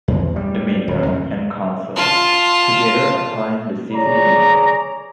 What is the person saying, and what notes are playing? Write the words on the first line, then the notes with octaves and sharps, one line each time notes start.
The mayor and council, together, appoint the city manager.
E2
G3
D#1
F2
F4 A5
G#4 C#5 D5 A#5